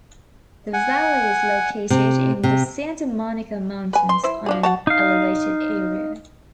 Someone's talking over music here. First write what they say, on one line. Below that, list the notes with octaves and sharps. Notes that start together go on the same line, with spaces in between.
The valley is located in the Santa Monica Mountains on an elevated area.
F#5 G#5
C3
C3
B4 G#5
C6
E4 C5
F3 D4 G#4
F#4 C#5 F#5 A5
D#4 F5